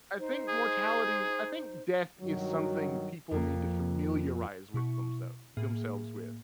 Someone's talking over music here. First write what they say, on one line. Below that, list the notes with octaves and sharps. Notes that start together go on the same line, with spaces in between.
I think mortality I think death is something people need to familiarize with themselves themselves with,
D#4 C5
G#4
G2 D#3 F#3
F2 A#3
B2 E4 C#6
A2 A#3 G#4